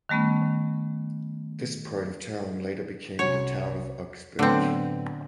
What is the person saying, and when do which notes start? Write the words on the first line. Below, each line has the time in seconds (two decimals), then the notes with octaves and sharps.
This part of town later became the town of Uxbridge.
0.09 D#3 G3 A3 B3 C#4
3.19 C2 C#4 F#4 C#5
4.39 A2 D3 F#3 B3 C4